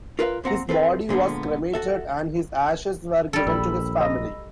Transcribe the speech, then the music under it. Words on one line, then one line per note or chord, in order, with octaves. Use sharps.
His body was cremated and his ashes were given to his family.
F4 A#4 B4 E5 F5
A#2 C4 F#5 A#5
C4 A4 B4
A#2 D3 G#3 B3
F#4 A4 E5
G3 A4
A#1 B5 E6
D#5